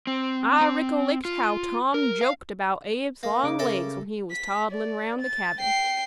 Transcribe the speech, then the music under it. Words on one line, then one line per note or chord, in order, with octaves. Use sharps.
I ricollect how Tom joked about Abe's long legs when he was toddlin' round the cabin.
C4
C4
F4
A#4
F5
A#3
C#3 D6
A4 A#4 E5
B6
D5
A6
G5 C7